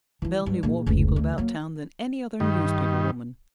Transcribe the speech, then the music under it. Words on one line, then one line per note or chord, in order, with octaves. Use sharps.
Belle knew more people about town than any other newspaper woman.
E3 F3
G2
A#1 A#3
F1 C#2
D2
F#3 A#3
G2 D#3